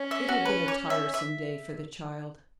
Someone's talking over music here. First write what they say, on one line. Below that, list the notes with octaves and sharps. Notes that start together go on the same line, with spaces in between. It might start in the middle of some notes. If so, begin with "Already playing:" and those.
It had been a tiresome day for the child.
Already playing: C#4
E5
F#4
B4
C#5
E5
E5